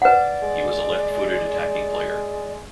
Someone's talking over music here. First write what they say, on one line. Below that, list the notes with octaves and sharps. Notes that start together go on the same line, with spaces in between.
He was a left-footed attacking player.
B4 D5 F#5
G#3